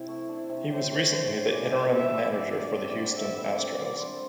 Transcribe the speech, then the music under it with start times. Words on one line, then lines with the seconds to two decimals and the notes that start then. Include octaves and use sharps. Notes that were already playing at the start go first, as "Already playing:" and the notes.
He was recently the interim manager for the Houston Astros.
Already playing: C3 E4
0.08 A3
0.29 D4
0.50 C3
0.70 A2 C5
0.91 A3
1.11 D4 C5
1.32 A2
1.53 E3 D5
1.73 G3
1.93 E4 E5
2.14 E3
2.35 D3 D5
2.56 A3
2.76 C4
2.96 D3
3.17 D3 E5
3.38 G3
3.58 C4 D5
3.79 D3
3.99 C5